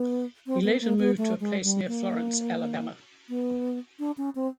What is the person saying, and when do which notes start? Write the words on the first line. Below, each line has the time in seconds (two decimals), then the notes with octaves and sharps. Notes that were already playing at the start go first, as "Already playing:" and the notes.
He later moved to a place near Florence, Alabama.
Already playing: B3
0.47 C4
0.63 B3
0.81 A#3
0.99 B3
1.18 A3
1.40 G#3
1.64 G3
1.87 A#3
3.29 B3
3.99 D4
4.18 C#4
4.35 C4